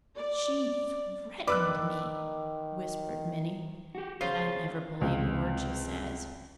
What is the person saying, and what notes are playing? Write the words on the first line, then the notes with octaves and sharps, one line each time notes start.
"She THREATENED me," whispered Minnie, "but I never believe a word she says."
D5
D#3 B4 D5 D6 E6 F#6
F#4 G4
C#3 F4 C5
C#2 C3